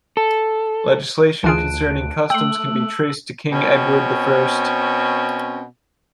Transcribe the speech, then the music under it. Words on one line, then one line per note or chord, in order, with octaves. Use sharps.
Legislation concerning customs can be traced to King Edward the First.
A4
D2 E3 F4 G#4 A5 F#6 D7
A3 G5 C6 E6 F#7
B2 C4 C#4